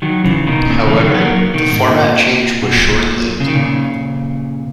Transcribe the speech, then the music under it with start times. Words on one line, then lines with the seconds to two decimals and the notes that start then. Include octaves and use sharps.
However, the format change was short lived.
0.02 D#3 F#3
0.24 C#3 E3
0.47 B2 D#3
0.66 B2
0.69 A#2 C#3
0.86 C#3 E3
1.04 D#3 F#3
1.14 B3
1.20 F#3 A#3
1.54 B2 D#3
1.71 G#2 B2
1.88 A#2
2.63 B2
2.72 A#2
3.40 C#3
3.48 D#3
3.55 A#2 C#3